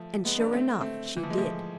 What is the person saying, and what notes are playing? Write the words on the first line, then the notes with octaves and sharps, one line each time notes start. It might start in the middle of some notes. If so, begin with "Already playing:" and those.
And sure enough, she did.
Already playing: F3 A3
G#3 B3
B3 D4
A3 C4
A3 C4
E3
F3
G#3
F3 A3